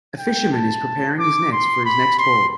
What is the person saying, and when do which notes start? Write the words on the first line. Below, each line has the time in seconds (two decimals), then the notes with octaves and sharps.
A fisherman is preparing his nets for his next haul.
0.19 G5
0.52 A5
1.19 D6
1.52 C6
1.85 B5
2.19 C6